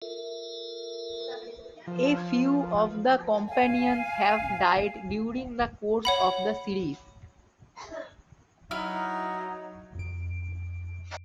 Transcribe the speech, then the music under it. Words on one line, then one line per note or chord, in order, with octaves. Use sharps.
A few of the companions have died during the course of the series.
F4 A4 A#4 E5
F3
F5 G#5
C#5 F#5 B5
F#3 D#4 E4 F6
F2 D7